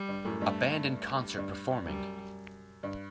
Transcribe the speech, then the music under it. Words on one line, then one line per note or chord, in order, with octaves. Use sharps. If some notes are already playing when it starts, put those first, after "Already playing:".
A band in concert performing.
Already playing: G3
G2
F#2 A2
G2 A3
G3
G2
F#2 G3
G2